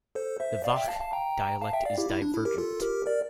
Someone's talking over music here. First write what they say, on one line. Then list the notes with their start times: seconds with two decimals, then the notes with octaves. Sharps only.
The Vakh dialect is divergent.
0.15 A4 C5
0.40 C5 E5
0.64 D5 F5
0.76 E5 G5
0.88 F5 A5
1.00 F5 A5
1.13 G5 A#5
1.61 F5 A5
1.73 E5 G5
1.85 D5 F5
1.98 E4 G4
2.10 E4
2.22 D4
2.34 E4
2.45 G4 A#4
2.58 F4 A4
2.82 G4 A#4
3.06 A#4 D5